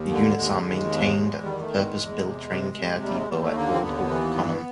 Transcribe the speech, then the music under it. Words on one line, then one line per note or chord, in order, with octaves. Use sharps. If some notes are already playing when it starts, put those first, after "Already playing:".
The units are maintained at the purpose-built train care depot at Old Oak Common.
Already playing: D#2
D3
D#2 G#3
D#2
E2
E2
D#3 G3
A3
E2
G#3
E2
C3
C3
C3
D#2 G3
G#3
D#2 G3
A3
D3 A#3
C4
D#2 B3
E3
G2